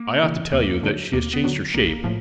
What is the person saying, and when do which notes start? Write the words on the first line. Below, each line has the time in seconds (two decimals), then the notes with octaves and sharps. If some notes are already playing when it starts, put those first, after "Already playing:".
I ought to tell you that she has changed her shape.
Already playing: A#3
0.23 C#3 E3
0.53 D#2 A#3
0.83 D3 F#3
1.13 D#2 A#3
1.34 B3
1.44 D3 F#3
1.74 A#1 A#3
2.04 A2 F3